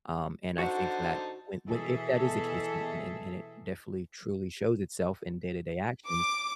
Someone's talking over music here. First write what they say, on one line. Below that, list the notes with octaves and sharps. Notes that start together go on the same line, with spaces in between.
Um, and I think that when, when if that is the case and, and and it definitely truly shows itself in day-to-day actions,
D3 D#4 F#4 C5 F#5 A5
B2 E3 G#4 A4 E5
D6